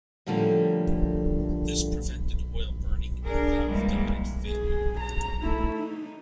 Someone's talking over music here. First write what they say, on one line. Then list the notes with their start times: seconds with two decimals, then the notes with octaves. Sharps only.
This prevented oil burning and valve guide failure.
0.26 A2 D3 F3 G3 A3 A#3
3.24 D4 G#4 A#4
3.68 E3 G3 G#3 A#3
4.47 G#4
5.00 A#5
5.42 A3 E4
5.77 D#4